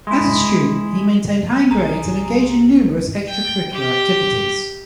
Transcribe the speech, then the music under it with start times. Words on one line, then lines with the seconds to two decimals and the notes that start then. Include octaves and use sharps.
As a student, he maintained high grades and engaged in numerous extracurricular activities.
0.07 G#3 E4
1.71 B1 C3 G#4 A#5
3.28 G5
3.73 G4